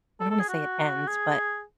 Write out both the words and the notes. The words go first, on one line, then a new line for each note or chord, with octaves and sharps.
I don't wanna say it ends, but,
A4
A4
G#4
F#4
G#4